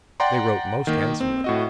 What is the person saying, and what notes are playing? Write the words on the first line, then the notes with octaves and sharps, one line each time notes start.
They wrote most handsomely.
D5 F#5 G5 A#5 C6
D#3 A#3
C4
A2 F#4 D#5